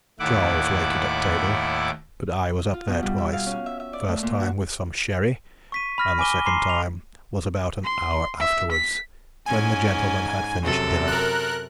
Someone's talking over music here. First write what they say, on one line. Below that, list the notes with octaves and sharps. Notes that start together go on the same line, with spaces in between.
Charles waited at table, but I was up there twice--first time with some sherry, and the second time was about an hour afterwards, when the gentlemen had finished dinner.
D#2 A2 E4 F#5 D6
F4
B2
G3
E5
F5
C#4
E5
E5
D5
A3
A#2
F#4
C#6 B6 D#7
B5 F6 A#6
G#5 B5 D6 D#7 G7
A#5 C6 D6 C7
F7
C6
E5
B6
G#2 C#4 G#5
F#2 C3 A4
A#4 F#6